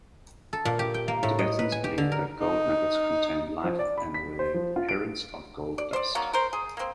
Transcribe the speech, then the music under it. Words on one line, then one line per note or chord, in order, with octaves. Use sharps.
Tibetans believed that gold nuggets contained life and were the parents of gold dust.
A4
A#2
G4
G5
A#3
A2
D#5
B4
G#5
G4
D3
A#4
D#4
F3
D5
B5
B6
C5
F3
F4
D7
D5
C5 D5
D#3 F#3 A#3
A#4 C5
G#4
A#3 C4